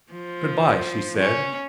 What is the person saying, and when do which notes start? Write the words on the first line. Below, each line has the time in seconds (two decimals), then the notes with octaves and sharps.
"Good-bye," she said.
0.13 F3
1.18 C#4